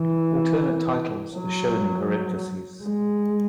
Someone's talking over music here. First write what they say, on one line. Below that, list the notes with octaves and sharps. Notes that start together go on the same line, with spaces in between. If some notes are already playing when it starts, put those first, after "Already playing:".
Alternate titles are shown in parentheses.
Already playing: E3
F#3
G#3